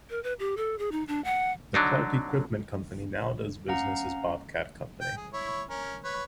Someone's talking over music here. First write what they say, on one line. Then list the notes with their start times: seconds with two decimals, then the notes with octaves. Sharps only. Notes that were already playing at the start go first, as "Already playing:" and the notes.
The Clark Equipment Company now does business as Bobcat Company.
0.10 A#4
0.23 B4
0.39 G4
0.57 A4
0.79 G#4
0.92 D#4
1.08 D4
1.24 F#5
1.74 D3 F#3 D4 D#4
3.68 C#4 F5 F#5 A#5
5.01 G5
5.17 G#4
5.33 E4 C#5
5.69 C#4 A#4
6.04 B4 C#5